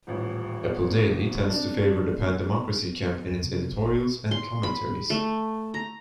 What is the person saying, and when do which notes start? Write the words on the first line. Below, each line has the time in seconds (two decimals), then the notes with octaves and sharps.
Apple Daily tends to favour the pan-democracy camp in its editorials and commentaries.
0.07 D#1 A1
1.47 C3 D4
3.28 E2
3.43 C3
3.72 G#1
4.31 C6
4.63 B5
5.10 A3
5.74 A#5